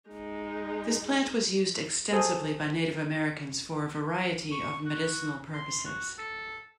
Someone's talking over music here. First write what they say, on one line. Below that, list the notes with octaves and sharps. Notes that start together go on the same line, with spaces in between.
This plant was used extensively by Native Americans for a variety of medicinal purposes.
G#3 D#4
G#4 A4 C5 G#5
C#6
F#4
C6
F#4
A4